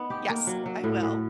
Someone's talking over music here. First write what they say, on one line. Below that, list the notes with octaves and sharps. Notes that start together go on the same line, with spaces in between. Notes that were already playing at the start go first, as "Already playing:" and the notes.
Yes, I will.
Already playing: B3 D#4
G4
A#3
F#3
F#3
A2
A2